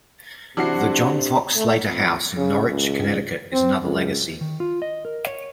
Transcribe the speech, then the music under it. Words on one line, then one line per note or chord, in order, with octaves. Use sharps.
The John Fox Slater House in Norwich, Connecticut is another legacy.
C3 E3 D4 F#4 C6 C7
A3
F2
C#3
C#2
C4
C#2
D#3
F4
D#5
A#4
C#5